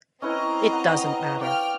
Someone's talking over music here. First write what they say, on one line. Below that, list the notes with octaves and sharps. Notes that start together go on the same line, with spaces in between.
It doesn't matter.
C4 C#4 E4 B4 D#5 A#5
F#5
D5 F5 G5 F6